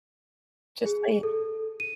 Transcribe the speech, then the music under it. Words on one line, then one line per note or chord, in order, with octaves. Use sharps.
just saying
G#4
A4
D#7